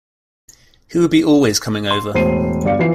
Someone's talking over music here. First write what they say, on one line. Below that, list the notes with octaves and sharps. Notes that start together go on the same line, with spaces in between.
He would be always coming over.
C6
E1 A2 C5 C7 D#7
G1 G3 D5 F5 C#7
E3 F3 B4 C7